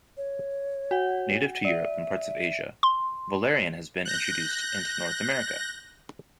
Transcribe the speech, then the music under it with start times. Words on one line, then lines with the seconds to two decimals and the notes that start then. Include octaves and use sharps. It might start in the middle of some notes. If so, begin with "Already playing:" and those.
Native to Europe and parts of Asia, valerian has been introduced into North America.
0.17 C#5
0.91 F#4 F#5
1.65 D5 E5
2.83 C6
4.05 F#6 G6 A#6